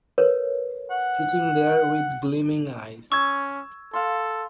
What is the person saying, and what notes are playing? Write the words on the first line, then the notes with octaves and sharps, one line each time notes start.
Sitting there with gleaming eyes.
A#4 B4 C#5
F#5
C#4 C#6 E6 G#6
A4 F5 A5 C6